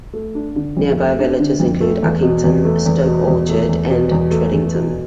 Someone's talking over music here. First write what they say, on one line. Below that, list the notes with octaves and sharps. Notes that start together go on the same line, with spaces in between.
Nearby villages include Uckington, Stoke Orchard, and Tredington.
A3
D4
D3
F2
A3
D4
D3
F2
A3
E2
B2
E2
A3
E2
B2
E2
A3
E2
B2
E2
A3
E2
B2